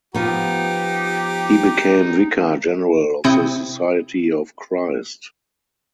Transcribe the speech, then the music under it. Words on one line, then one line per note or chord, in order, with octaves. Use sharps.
He became vicar general of the Society of Christ.
F3 B3 D#4 G4
C3 C4 E4 D#6 G6 C#7